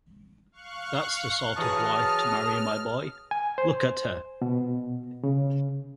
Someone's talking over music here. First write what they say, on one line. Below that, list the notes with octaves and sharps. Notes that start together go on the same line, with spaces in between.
That's the sort of wife to marry, my boy. Look at her.
F5 C#6 F#6
E3 F#3 G#4 A5 A#5 D#6 F6
G#5
C5
B2
C#3